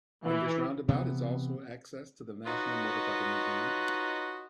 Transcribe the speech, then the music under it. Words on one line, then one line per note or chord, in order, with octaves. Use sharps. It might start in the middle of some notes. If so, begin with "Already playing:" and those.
On this roundabout is also access to the National Motorcycle Museum.
E3
C3 E3 B3
D#4 F4 F#4 B4 C#5 D#5